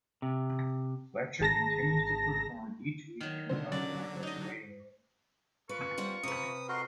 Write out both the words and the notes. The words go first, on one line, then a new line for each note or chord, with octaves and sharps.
Fletcher continues to perform each week in Melbourne with Waiting Room.
C3
G#1 G#4 A5 A#5 A#6
D#3 F#3
B2 D3 C5
D3 F#3 C#4 D5
D#4 D#5
F4 A#4 B4 C#6
G3 C4 F#5
C3 B4 D#6
F2 F#4 A#4 D#5 C6